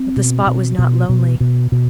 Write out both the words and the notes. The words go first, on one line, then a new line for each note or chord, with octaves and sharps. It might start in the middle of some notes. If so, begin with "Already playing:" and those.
But the spot was not lonely.
Already playing: C4
B2
B2
B2
B2
B2
B2